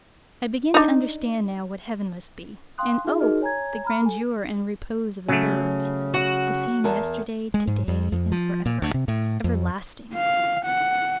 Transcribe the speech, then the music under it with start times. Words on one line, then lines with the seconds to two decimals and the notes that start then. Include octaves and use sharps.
'I begin to understand now what heaven must be--and, oh! the grandeur and repose of the words--"The same yesterday, to-day, and for ever." Everlasting!
0.74 D4 D#4
2.78 F5 G5 C6 D#6 F#6
3.05 D#4 F4 F#4 G#4 E5
3.20 D#4 F#4 G#4 A#4 D#5 F6
3.41 C#5 G#5 A#5 G#6
3.85 A#5 B5 F6
4.02 A4 G#5
5.28 C#3 F#3 A3
6.14 F#4
6.84 E2 A#4 A5
7.54 G#3
7.67 G#2
7.88 F2
8.12 F2
8.32 F3
8.66 A#2
8.82 D2
8.94 C3
9.08 A2
9.44 F2
10.15 F5
10.66 F#5